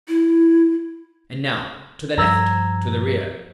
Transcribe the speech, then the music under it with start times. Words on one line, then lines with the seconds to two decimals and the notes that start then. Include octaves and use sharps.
And now--to the left! to the rear!
0.08 E4
2.18 G2 F3 A#5 E6 G#6